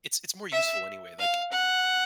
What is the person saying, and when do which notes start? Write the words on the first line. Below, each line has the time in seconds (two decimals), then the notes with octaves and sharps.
It's it's more useful anyway, like
0.52 E5
1.18 F5
1.51 F#5